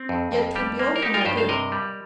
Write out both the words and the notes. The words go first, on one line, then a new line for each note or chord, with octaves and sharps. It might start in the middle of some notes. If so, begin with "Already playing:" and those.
Yet 'twould be all for my good.
Already playing: C4
F2
F2
G3 G4
A#3
A#4
D#4 G4
F4 A#4
D#5
G2 G4 C5
C5 F5
C3 A#4 D#5
G3